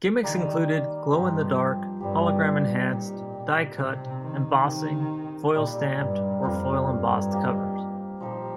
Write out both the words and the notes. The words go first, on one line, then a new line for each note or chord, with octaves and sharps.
Gimmicks included glow-in-the-dark, hologram-enhanced, die-cut, embossing, foil stamped or foil-embossed covers.
D#3 G3 A#3 D#4 A#4
G2 F3 C4 G4 D#5
G2 G3 C4 G4
A#2 D#4 G4 D#5
A#2
C3 C4 D#4 C5
D#3
D#3 C4 G4 A#4
A#2 G3 A#3 D#4 A#4
G2
F2 G3 C4 F4 A#4
G2
A#3 G4 D#5
A#2 F3 D#4 G4 C5